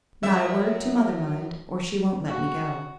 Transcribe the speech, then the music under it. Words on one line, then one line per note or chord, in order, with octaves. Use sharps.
Not a word to mother, mind, or she won't let me go.
F#2 E5
F#4